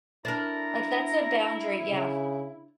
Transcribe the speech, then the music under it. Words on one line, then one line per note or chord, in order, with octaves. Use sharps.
Like, that's a boundary, yeah.
D4 E4 A#4 A#5
C#3